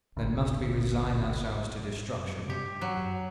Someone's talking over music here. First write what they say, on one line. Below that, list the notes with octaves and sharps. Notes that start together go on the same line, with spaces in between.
"Then must we resign ourselves to destruction?"
G#1 D2
F#2
G2 G4
F#3
F#2